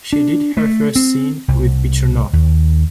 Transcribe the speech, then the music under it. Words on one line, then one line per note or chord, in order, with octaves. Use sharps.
She did her first scene with Peter North.
D4
A3
C4
C2
D#2